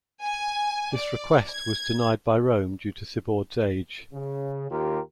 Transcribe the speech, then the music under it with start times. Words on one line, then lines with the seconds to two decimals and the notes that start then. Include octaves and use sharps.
This request was denied by Rome due to Sibourd's age.
0.23 G#5
0.95 D5
1.50 G#6
4.13 C#3
4.71 D#2 F4 G4 A#4